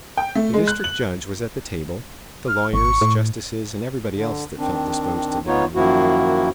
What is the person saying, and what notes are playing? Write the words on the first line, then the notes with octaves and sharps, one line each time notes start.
The district judge was at the table, the lawyers, justices, and everybody else that felt disposed to dine.
G5
A3
G#3
F#6
F#7
F6
G#1 C#6
A2
D3
D#3 C4 D4
B3 D#4 F4 C#5
F#2 D#3 F3 A#3 E4 F#4